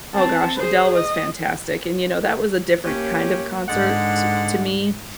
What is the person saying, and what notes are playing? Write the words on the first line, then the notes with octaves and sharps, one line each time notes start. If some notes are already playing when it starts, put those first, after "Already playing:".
oh gosh, Adele was fantastic, and you know, that was a different kind of concert to to me.
C4 A5
G#4 C5
D#5
A#3 C#4 G4
G#2 D3 G#3 F#5